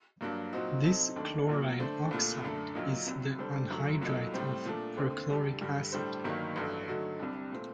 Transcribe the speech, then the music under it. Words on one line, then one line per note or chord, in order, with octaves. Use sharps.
This chlorine oxide is the anhydride of perchloric acid.
G2 F#3 A#3 D4
A#2 F#3 C4 D#4 F#4
C3 F#3 C4 D#4 A4
D#2 D#3 A3 D4
A#1 A#2 F#3 A#3
D3 A3 D4 A4 C5
C2 A#2 A3
F#2 D3 A3 D4 A4
A#1 A#2 F#3 A#3 D#4
C2 C3 F#3
D3 G3 D4 A4 C5
G1 F#2 F#3 A3
C2 A#2 F#3 A3 D#4
A2 G3 C4
A#2 A3 D4
D#2 D3 A3 C4
D2 D3 G3 D4 G4
G2 D3 G3
A2 G3 D4 A4 C5
G1 G2 D#3 F#3 A#3
A1 G2 F#3 A3
D3 F#3 A3 D#4 F#4
C2 C3 G3 D4
A#2 A3 C4